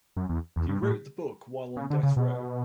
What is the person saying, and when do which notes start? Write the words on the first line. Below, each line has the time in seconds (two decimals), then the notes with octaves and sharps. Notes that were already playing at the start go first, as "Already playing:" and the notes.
He wrote the book while on death row.
0.17 F#2
0.29 E2
0.56 E2
0.69 G2
0.83 A2
1.76 C#3
1.90 D3
2.03 C#3
2.16 B2